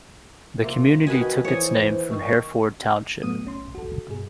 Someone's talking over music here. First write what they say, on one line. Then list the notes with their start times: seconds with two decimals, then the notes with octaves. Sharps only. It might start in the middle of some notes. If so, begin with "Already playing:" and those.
The community took its name from Hereford Township.
0.63 C3 A#3 F4
1.07 D#3 D#4 F#4 B4 D#5 G#5
1.45 E3 A#3 G#4 C5 C#5 G#5
2.11 D#3 C#6
3.23 A2 F#3 A3 B3 D#6 D#7
3.45 B1 C#4 C6
3.75 F#4 A4
4.09 G2 B2 G#4